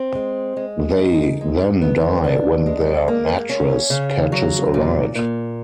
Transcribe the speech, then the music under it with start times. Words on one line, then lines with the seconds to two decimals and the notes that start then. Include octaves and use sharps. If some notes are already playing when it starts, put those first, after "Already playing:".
They then die when their mattress catches alight.
Already playing: C4
0.15 G#3
0.57 G#3
0.99 D#4
1.41 G#3
1.82 B3
2.24 D4
2.66 G#3
3.08 A#3
3.49 C#4
3.90 C#3
4.32 F#3
4.74 A#2
5.15 A#2